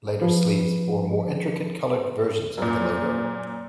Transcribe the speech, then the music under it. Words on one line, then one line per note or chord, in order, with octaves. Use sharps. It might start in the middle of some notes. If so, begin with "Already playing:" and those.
Later sleeves bore more intricate-coloured versions of the logo.
F3 B4
F#2 A#2